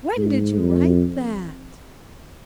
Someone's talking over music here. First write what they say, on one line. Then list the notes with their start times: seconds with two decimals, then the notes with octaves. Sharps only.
"When did you write that?"
0.17 G#2
0.59 F2